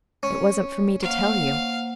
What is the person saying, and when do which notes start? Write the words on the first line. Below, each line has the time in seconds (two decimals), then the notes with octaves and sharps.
"It wasn't for me to tell you."
0.23 C#4
1.02 A#3 C5 F5 F#5